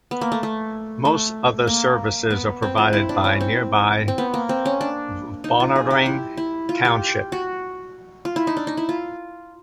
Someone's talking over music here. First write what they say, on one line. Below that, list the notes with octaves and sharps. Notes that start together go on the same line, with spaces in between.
Most other services are provided by nearby Balnarring township.
B3
A#3
A3
A3
A3
A#3
B3
C4
F4
E4
D4
C#4
C4
C4
B3
A#3
C4
C#4
D4
D#4
F4
G#4
G4
E4
E4
F4
G4
F#4
F4
E4
D#4
D4
D#4
E4
F4